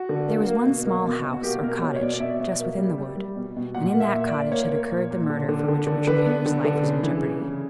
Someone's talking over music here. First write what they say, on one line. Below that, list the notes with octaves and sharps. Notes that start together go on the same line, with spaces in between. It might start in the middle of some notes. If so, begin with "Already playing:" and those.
There was one small house, or cottage, just within the wood, and in that cottage had occurred the murder for which Richard Hare's life was in jeopardy.
Already playing: F#4
D3
A#3
A#3
B2
A#3
B2
B2
F#4
A#3 G4
B2 A#4
B2 C#5
C#5
B2 D5
D5
B2 E5
B2
A#3
G3
G3
G3
B2
B2
A#2 F#5
A#3
E5
A#2
D5
A#2
A#3 C#5
A#3
A#2
A#2
D3
D3
D3
D3
D3 B4
B3
D3
D3
C#3
E3
C#3
C#3